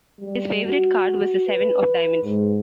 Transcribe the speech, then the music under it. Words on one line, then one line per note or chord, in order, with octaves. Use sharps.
His favourite card was the seven of diamonds.
G3
F#4
B4
G#2